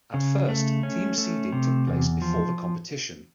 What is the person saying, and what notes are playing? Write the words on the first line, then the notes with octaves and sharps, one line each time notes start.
At first team seeding took place before the competition.
C#3
A3
C#4
A3
C3
E2
F3